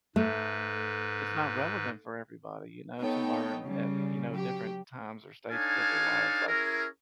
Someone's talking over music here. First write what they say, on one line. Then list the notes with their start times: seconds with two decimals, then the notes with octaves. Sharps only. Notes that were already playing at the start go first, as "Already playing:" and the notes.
it's not relevant for everybody, you know, to learn at, you know, different times or stages of their lives, like,
0.16 G#2 A3 B4
2.99 B3 D#4 A4 C#5 G5
3.65 C#3 G3
4.32 F#3 G4
5.50 D4 D#4 A4 C#5 F5 G#5
6.47 C#4 E4 G#4 A#4